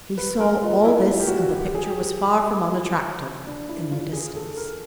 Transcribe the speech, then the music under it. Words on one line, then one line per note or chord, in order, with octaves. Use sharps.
He saw all this, and the picture was far from unattractive--in the distance.
B4
A#4
F4
E4
F4
G4
F#4
F#4
G4
G#4
G4
D4
E4
F4
G#4
A4
A#4